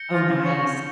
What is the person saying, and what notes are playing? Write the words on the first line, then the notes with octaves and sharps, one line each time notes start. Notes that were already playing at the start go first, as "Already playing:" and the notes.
Oh, nice.
Already playing: G6 A#6 C#7 G7
F4
C#5